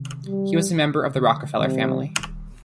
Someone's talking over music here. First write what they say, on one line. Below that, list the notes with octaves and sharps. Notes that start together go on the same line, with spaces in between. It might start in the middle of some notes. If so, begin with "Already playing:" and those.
He was a member of the Rockefeller family.
Already playing: C3 D#3
G3
D3 F3
C3 D#3 G3